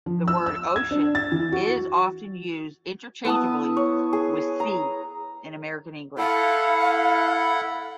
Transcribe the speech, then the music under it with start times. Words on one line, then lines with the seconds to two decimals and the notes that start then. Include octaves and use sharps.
The word "ocean" is often used interchangeably with "sea" in American English.
0.06 F3
0.28 E6
0.46 E6
0.76 G#6
0.91 D4
1.15 A6
1.32 E3
1.52 F#4
3.25 B3 E4 A5 D#6
3.77 C#5
4.13 G#4
4.60 A#5
6.18 E4 A4 F5 F#5